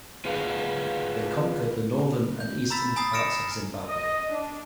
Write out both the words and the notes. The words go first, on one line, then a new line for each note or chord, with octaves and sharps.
They conquered the northern and eastern parts of Zimbabwe.
F4 G#4 B4 F5 F#5 A5
G6
A#5 B5 E6 A6 B6
G#5 A#5 B5 D#6 A6 C7
F6 A#6 C#7 D7 E7
D#5
D4